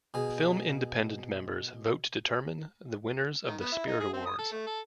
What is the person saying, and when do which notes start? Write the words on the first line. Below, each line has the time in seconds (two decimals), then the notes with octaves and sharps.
Film Independent Members vote to determine the winners of the Spirit Awards.
0.14 B2 G#4
3.47 D#3
3.61 B3
3.72 E4
3.88 D#4
4.00 G#4
4.14 C4
4.26 D#6
4.39 A4
4.52 A3
4.67 A4